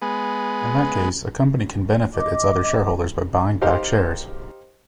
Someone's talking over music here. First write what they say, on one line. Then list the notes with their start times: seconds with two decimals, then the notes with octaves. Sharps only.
In that case a company can benefit its other shareholders by buying back shares.
0.02 G#3 B3
2.13 D#5 D6
3.61 D#4 G4 A#4 C5 F5 C6